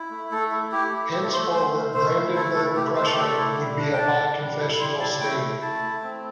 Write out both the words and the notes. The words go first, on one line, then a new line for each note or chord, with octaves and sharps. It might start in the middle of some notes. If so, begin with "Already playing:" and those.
Henceforward, Brandenburg-Prussia would be a bi-confessional state.
Already playing: E4
A3
A3 A4
E4
E4 G4
A3
A3 G4
A4
A3 C5
A3 C5
A3
A3 C5
E4
A3 A4
A3 A4
A3 G4
A3 C5
A4
G4
A3 A4
E4
G3
D4
G5
D4 A5
D4
G3
E4
G3 C6
E4 A5
A3 G5
A3
E4 A5
A3
C4